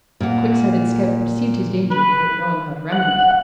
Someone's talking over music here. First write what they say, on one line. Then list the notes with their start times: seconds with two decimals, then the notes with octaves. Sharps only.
The quick-sighted scout perceived his danger without knowing how to remedy it.
0.20 A#2 F#5
1.91 B4
2.92 F#5